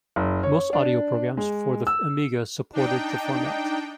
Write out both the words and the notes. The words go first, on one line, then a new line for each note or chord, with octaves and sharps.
Most audio programs for the Amiga supported the format.
F#1
C#5
D4
G#3
E6
D4 D#4 G5